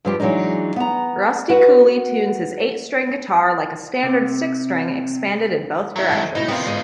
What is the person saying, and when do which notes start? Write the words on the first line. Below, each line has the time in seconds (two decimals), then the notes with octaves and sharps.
Rusty Cooley tunes his eight-string guitar like a standard six-string expanded in both directions.
0.05 G2 F3 G4
0.20 E3 F#3 G#3 D4 D#4
0.76 B3 A#5
1.49 F#4 B4 F#5
4.03 C3
5.96 F#3 E4
6.11 D#3 G#3 C4
6.35 B2 D#4 E4
6.48 B3 C4 F4 A#4
6.66 G#2 D#5